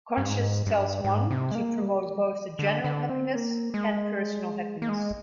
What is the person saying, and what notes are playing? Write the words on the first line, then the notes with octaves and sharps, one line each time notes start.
Conscience tells one to promote both the general happiness and personal happiness.
G2
G#2
G2
G#2
C3
G#3
A#3
G3
D3
D3
C4
A#3
G#3
A#3
G#3